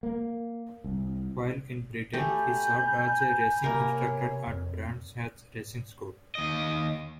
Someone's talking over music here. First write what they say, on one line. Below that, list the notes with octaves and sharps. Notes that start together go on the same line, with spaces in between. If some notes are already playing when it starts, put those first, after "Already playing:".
While in Britain he served as a racing instructor at Brands Hatch racing school.
A#3
C2
A3 G4 G#5 A#5 B5 G6
C3 A#3 A#4
C#5
F2
D#2 D#5